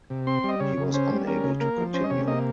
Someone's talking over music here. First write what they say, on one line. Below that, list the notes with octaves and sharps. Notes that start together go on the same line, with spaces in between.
He was unable to continue.
C3
C4 C6
G3 D#5
C#3 C#5
C#3
C#4 C5
G3
C#4 A#4
C#3
A#3 A#4
F3
C#4 C5
D#5
C3 C#5
A#3 D#5